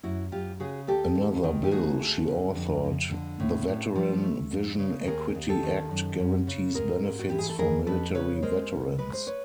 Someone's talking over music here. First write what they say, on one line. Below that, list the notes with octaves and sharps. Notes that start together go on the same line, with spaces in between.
Another bill she authored, the Veteran Vision Equity Act, guarantees benefits for military veterans.
F#2 E4 F#4
F#2 F4 G4
C#3 F#4 G#4
D#2 G4 A4
D#2
D#3
G4
A3 F#4 G#4
D2
D3
F2
F2
D3
A2
A2
F3
A3
F2
C#3
D#2 G#4 A#4
D#2
G4 A4
D#3
F#2
F#2
C#3
G#2 G#4 A#4
G#2
F#4
E3 G4
G#4
A4
F2 G#4 A#4
F2 A4 B4
C#3 B4 C#5
G#3 A#4 C5
B2
G#3 B4
C5
B4 C#5